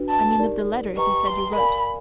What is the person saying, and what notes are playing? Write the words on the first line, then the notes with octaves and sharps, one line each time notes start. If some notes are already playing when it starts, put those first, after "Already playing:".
"I mean of the letter he said you wrote."
Already playing: D4 F#4 B4
A5
D#4 G4 A#4 D5
G4 B4 D#5 G5 A#5 C#6
C6
A#4 D5 F5 G#5 B5